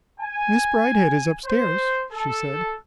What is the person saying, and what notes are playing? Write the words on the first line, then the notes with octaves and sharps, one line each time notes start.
"Miss Bridehead is up-stairs," she said.
G#5
C5
A4